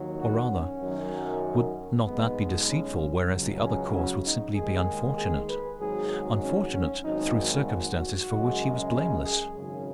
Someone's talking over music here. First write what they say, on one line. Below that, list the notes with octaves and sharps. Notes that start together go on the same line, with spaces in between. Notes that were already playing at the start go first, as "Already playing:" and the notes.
Or, rather, would not that be deceitful, whereas the other course would simply be unfortunate--unfortunate through circumstances for which he was blameless?
Already playing: D#2 D#3 F#3
F#4
C#4
F#2 D#3 F#3
B1 B2 G#3 B3
C#4
C#2 C#3 F#3
C#4
C#4
D#4
D#2 D#3 G#3 G#4
G#4
B4
G#1 G#2 F#3 G#4
C#4
C#4
G#1 G#2 F#3 D#4
F#4
F#4
F#2 C#3 G#3
G#4
G#4
G#1 F#2 C#3